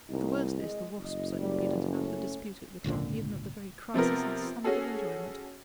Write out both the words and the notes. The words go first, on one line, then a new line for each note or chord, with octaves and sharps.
The worst is, the wasps are impudent enough to dispute it with one, even at the very crisis and summit of enjoyment.
C2 A#3 D#4
G#3 D#5
F#1 D#5
G3
A3 C#4
G#1 C#2 A#2 D3
C3 F3 B3 A#4
C#4 F#4 G#4 A4